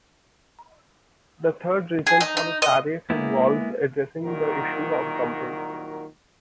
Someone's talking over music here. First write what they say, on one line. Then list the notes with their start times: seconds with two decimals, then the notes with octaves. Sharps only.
The third reason for a tariff involves addressing the issue of dumping.
2.07 G#4
2.20 D#4
2.37 D#4
2.62 D#5
3.10 G#3 A#3 B3 E4
4.24 C2 A#2 D#3 F#3 F#4 A#4